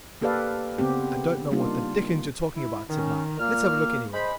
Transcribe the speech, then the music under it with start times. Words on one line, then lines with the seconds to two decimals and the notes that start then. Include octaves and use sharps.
'I don't know what the dickens you're talking about,' said Mike. 'Let's have a look, anyway.'
0.21 A#3 G4 A4 B4 D5 F5
0.78 C#3 B3 C4 G4
1.51 G3 A#3 D4 D#4 F4
2.54 E4
2.90 D#3 C#4
3.40 A#2 A#3 F6
4.14 G#3 C5 B5